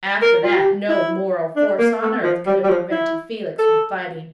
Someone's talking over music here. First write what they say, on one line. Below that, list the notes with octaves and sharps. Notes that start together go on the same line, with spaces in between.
After that, no moral force on earth could have prevented Felix from fighting.
A#4
F4
G4
E4
D4
A#3
A3
F3
G3
G3
F3
E4
A4